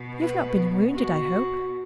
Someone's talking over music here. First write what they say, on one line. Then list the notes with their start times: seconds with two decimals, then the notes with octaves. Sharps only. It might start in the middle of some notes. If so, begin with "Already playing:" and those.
"You have not been wounded, I hope?"
Already playing: B2
0.20 B4
0.94 B2 F#4